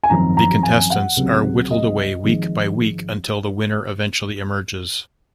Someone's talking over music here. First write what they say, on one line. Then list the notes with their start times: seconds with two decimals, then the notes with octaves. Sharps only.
The contestants are whittled away week by week until the winner eventually emerges.
0.04 G#5
0.10 G#1 F#2 F3 C4 A#5
0.37 A#5
0.63 G#5
0.90 F#5
1.17 C#2 C3 F#3
1.71 D#5
2.24 G#1 G#2 F3